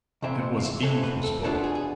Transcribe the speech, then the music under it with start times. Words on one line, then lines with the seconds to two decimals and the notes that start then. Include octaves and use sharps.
It was Eve who spoke.
0.22 F2 C3 E3 C4 E5
0.59 F5
0.63 E5
0.83 F2 C3 E3 A3 C4 A4
1.04 B4
1.24 A4
1.43 E2 B2 B3 D4 F4 A4
1.64 G#4
1.75 G#4